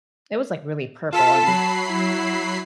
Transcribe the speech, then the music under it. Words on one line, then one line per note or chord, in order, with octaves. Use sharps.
it was like really purple and
F4 A4 A5 B6
F#3 B5 C7
E4